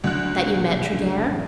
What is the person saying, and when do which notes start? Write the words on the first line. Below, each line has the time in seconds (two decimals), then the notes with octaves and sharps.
"That you met Tregear?"
0.04 D2 D3 F#3 D4 F#6
0.36 C3
0.57 B1 A#2
0.91 C#2 F#2 D3
1.29 A1 F#2 A2